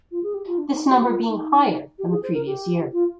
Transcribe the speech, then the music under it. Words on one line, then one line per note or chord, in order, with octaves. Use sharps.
This number being higher than the previous year.
F4
G#4
G4
F4
D4
D4
D#4
G4
F4
D#4
G4
G#4
C5
A#4
G4
F4